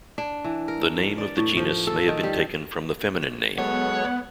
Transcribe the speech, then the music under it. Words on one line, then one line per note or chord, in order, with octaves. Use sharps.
The name of the genus may have been taken from the feminine name.
D4
E3
A#4
D5
A2
F3
A4
D#3
G3
F#3 G#3 B3 A4 C#5 F#5